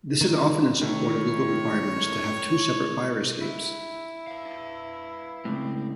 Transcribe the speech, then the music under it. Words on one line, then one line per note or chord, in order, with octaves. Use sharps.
This is often in support of legal requirements to have two separate fire escapes.
D#3
D#3 A3 E4 C#5
E4
B4 F5
C#2 A2 C4